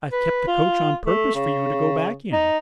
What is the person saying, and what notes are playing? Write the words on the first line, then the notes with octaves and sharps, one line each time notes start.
I've kept the coach on purpose for you to go back in.'
B4
F4
A3
C#3
D#4